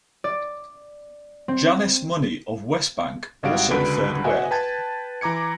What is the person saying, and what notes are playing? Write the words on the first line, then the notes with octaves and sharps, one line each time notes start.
Janice Money of Westbank also fared well.
D5
C4
G#1 G3 F#4 F5 F#5 D7
C#2 D3 F#4 B4 B5 D7
F#4 B4 D#5 E5 F#5 G#5
B4 G5 A5 G#6
E3 A#5 D6 G#6 C#7